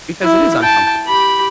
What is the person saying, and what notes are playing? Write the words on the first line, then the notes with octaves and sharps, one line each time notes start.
because it is uncomfortable.
E4
G5 A5
G4 B5